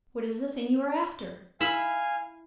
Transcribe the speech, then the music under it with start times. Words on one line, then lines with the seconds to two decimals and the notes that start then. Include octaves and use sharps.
What is the thing you are after?
1.60 E4 E5 F5 G#5 B5